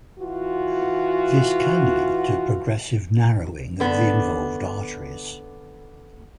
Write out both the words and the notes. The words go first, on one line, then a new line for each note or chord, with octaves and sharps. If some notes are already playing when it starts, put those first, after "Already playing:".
This can lead to progressive narrowing of the involved arteries.
E3 F4 F#4
D3 B3